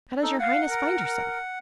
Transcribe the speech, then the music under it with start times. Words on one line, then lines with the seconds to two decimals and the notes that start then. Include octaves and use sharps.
How does your Highness find yourself?'
0.23 D#4 A4
0.39 F5 F#5
0.66 A#4